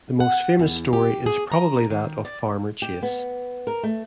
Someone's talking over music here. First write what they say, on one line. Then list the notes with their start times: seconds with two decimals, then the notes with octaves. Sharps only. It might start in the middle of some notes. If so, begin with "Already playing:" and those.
The most famous story is probably that of Farmer Chase.
0.20 F#5
0.59 E2
0.93 G4
1.26 G#4
1.52 A#5
1.90 D#3
2.25 D5
2.82 G4
3.03 B3
3.67 A#4
3.83 A3